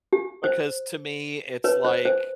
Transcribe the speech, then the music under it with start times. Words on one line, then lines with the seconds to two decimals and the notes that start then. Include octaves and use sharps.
because to me it's like
0.13 G4
0.44 C5
1.64 B4 C#5
1.85 C5
2.05 C5